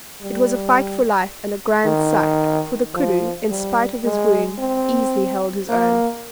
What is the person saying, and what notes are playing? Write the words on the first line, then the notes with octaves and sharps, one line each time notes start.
It was a fight for life and a grand sight; for the koodoo, in spite of his wound, easily held his own.
G3
D#3
F3
G3
G#3
C4
A#3